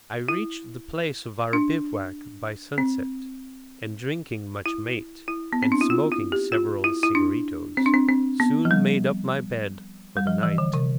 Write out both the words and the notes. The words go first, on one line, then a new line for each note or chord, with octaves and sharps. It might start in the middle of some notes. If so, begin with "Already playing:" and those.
I reached the place of our bivouac by sunset, and drinking much mate, and smoking several cigaritos, soon made up my bed for the night.
E4
D4
C4
E4
E4
B3
C4
D4
E4
F4
E4
G4
F4
E4
E4
D4
C4
D4
C4
C4
B3
F3
G3
G3
F3
E3
D3
C3